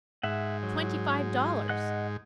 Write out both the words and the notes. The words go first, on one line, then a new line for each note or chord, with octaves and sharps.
"Twenty-five dollars."
G#2 E5 F#5
F#3
D#5 F#5 F#6